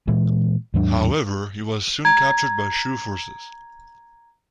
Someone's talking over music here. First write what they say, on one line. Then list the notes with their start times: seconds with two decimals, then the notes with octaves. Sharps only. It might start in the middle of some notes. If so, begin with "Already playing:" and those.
However, he was soon captured by Shu forces.
0.07 A#2 E3 G#3
0.74 D#2 G#2 F#3 D4
2.05 A#5 G#6